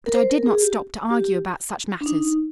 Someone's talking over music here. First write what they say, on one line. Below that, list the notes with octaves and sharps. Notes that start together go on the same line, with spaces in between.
But I did not stop to argue about such matters.
A#4
C5
A#4
G#4
G4
G4
D4
D#4